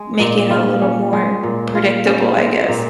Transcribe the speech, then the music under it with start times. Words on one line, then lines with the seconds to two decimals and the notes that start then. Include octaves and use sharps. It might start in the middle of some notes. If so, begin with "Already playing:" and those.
making it a little more predictable, I guess.
Already playing: G#3
0.19 A#2
0.50 F4
0.81 C#4
1.13 G#3
1.43 A#2
1.75 F4
2.06 C#4
2.37 G#3
2.68 A#2